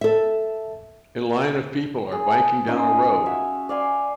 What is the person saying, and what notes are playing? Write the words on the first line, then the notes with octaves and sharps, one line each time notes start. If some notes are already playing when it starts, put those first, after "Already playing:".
A line of people are biking down a road.
A4 E5
G#4
A5
C#4 D#4 F4 C6
F#4 E5 F5 G#5
D5 F5 G#5 C6